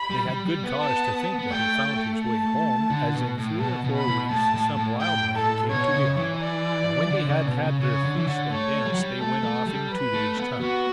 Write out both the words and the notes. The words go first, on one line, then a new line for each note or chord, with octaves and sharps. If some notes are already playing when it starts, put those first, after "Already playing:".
They had good cause to think that he found his way home, as in three or four weeks some wild men came to the isle, and when they had had their feast and dance, they went off in two days' time.
Already playing: B5
G3
G3
G3
B3
A5
B3
A3 G5
A5
D3
B2
A2
B2 A5
B2
B5
B2
A2 A5
A2
A2
G5
A4
B2 C#5
C#3
E3
D5
D3
C#3
B2
C#3
C#3 C#5
D3
E3
D3
A3 C#5
G3
F#3
G3
A3 A4
A3
G3
B4
A3
B3
B3 F#4